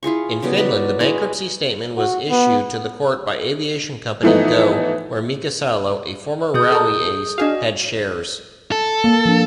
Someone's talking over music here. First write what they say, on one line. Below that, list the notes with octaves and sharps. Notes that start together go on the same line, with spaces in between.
In Finland the bankruptcy statement was issued to the court by aviation company Go! where Mika Salo, a former rally ace, had shares.
E4 F4 G#4 C#6
C#3 F#3 G3 B3
F#4 B4 D5
G#3 E4 F#4
F#4
B3
E3 F3 A3 B3 D#4
B2 G#4 D#6 G6
A4 A#4
D4 F#4 G#4 D#5 F5
A4
A#3
F3 D4